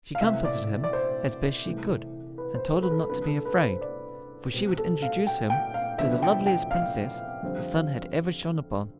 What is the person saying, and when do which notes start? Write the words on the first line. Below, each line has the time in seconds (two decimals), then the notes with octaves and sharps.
She comforted him as best she could, and told him not to be afraid, for she would introduce him to the loveliest Princess the sun had ever shone upon.
0.15 F5
0.21 C3 E3 A3 E5
0.45 D5
0.84 D5
0.93 C5
1.65 C2 C3 E3 A3
2.38 B4
2.55 C5
2.73 A4
2.83 B4
2.91 A4
3.09 C2 C3 G3 D4 B4
3.27 A4
3.45 B4
3.64 C5
3.81 D5
4.53 B2 G3 C4
4.78 A4
5.02 F5
5.27 G5
5.50 G5
5.74 F5
5.98 D2 C3 F3 B3 D4 E5
6.22 G5
6.47 G5
6.71 F5
7.43 F2 D3 G3 C4